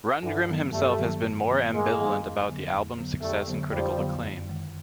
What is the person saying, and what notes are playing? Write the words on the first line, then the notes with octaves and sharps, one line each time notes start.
Rundgren himself has been more ambivalent about the album's success and critical acclaim.
G2 D3 E3
D#3 F#3 B3
G2 G3 A3
D#3 F#3 B3
G2
D#3 F#3 B3
G2 G#3 A#3
D#3 F#3 B3
F2
D3 F#3 B3
F2
D3 F#3 B3
F2 G3 A3
D3 F#3 B3
F2 F3 G3
D3 F#3 B3
F#2
D#3 G#3